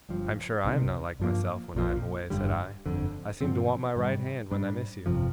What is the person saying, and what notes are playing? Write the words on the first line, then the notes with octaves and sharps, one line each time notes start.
'I am sure I am not like myself when I am away,' said I. 'I seem to want my right hand, when I miss you.
G1 G2 F3
C2 C3 D#3
G2 F3 A#3
A#1 A#2 F3
G1 G2 D3 G3
G1 F2 D3
G2 D3 F3 C4
G#2 D#3 G3
G#2 G3 D4
G1 F2 C3 F3